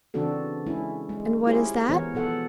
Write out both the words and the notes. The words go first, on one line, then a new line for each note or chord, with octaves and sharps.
And what is that?
C#3 E3 C4 D4 F#4 A4
G#3 C#4 E4
G#3
E4 F4 G4 G#4 C5 C#5
E3 B3 A#4 C5 C#5
B2 F3 A4 F#5